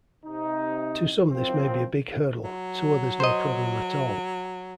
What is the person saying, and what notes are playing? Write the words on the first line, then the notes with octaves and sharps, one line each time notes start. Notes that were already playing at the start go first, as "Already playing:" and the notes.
To some this may be a big hurdle, to others no problem at all.
C3 D#4
F#2 F3 C4
F#3
C5 D#5